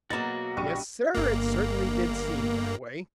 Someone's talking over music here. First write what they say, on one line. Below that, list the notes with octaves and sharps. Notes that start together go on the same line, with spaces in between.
Yes, Sir, it certainly did seem that way.
B2 F#3 A#3 F#4 G#4 E5 A#5 A6
A#1 G3 C#6 D#7
G1 A#3